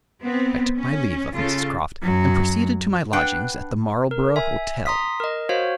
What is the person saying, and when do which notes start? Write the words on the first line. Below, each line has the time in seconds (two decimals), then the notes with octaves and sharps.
I took my leave of Mrs. Croft, and proceeded to my lodgings at the Marlborough Hotel.
0.23 B3 C4
0.77 C#4
1.33 C#3 F4 A4
2.03 F#2 F#3
3.13 D4 B4 F#5 G5
4.11 A#4
4.36 E5 G#5
4.86 A#5 C6 D#6 B6
5.20 A#4 D#5
5.49 F#4 C5 C#5 F5